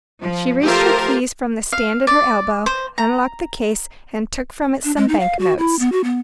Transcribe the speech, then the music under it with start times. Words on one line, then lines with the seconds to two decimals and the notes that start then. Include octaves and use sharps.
She reached her keys from the stand at her elbow, unlocked the case, and took from it some bank-notes.
0.21 F3
0.63 F3 A3 F4 G4 A#4 C5
1.72 F5
2.07 D5
2.66 C5
2.98 A#5
4.84 D4
4.97 G#3
5.08 D#4
5.20 F5
5.39 F#4
5.58 E4
5.79 B3
5.92 F#4
6.04 B3